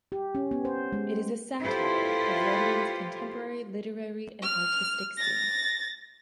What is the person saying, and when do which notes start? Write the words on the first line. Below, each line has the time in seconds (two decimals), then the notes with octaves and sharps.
It is a satire of London's contemporary literary and artistic scene.
0.12 G4
0.35 C#4
0.51 B3
0.65 C5
0.92 G#3
1.62 E4 F4 G4 A4 B4 C5
4.42 F6
5.17 A6 A#6